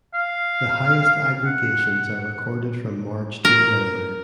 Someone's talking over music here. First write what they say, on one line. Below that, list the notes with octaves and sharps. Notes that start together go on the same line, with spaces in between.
The highest aggregations are recorded from March to November.
F5
F#5
A#4